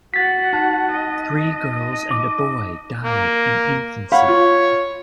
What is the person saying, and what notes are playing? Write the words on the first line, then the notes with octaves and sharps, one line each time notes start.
Three girls and a boy died in infancy.
F#4 F#5 A6 B6
D#4 A5 F#6
D#5
D6
A#3
C#5 F5 F#5 B5
F4